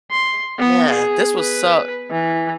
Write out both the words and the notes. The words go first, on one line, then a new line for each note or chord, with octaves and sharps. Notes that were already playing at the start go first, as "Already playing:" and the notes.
Man, this was so
C6
B3
G#4
B4
E3